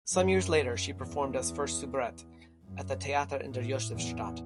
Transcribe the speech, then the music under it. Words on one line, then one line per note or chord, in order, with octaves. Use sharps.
Some years later she performed as first soubrette at the Theater in der Josefstadt.
F#2
E2
F#2
A2
E2